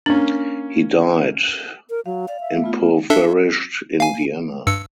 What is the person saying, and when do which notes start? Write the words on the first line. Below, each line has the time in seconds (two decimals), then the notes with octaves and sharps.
He died impoverished in Vienna.
0.06 A#3 C#4 D4
1.90 A#4
2.06 F#3 F5
2.28 D5 F5
2.41 E5
2.62 A3 B3 F4
3.10 D4 A4 E5
4.00 F5 G#5
4.67 G2 E6 C#7